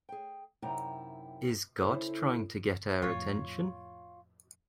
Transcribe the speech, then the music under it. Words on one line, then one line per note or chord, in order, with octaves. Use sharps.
Is God trying to get our attention?
G#4 G5
F#2 C3 D#4 E4 G5 A#5
C#3 E4 A4 C5
F2 A2 F4 C#5